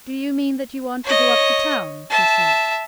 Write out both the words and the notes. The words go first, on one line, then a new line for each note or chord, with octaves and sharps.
"Do you mean that you want to go up to town?" he said.
C#5 D#5
E5 A5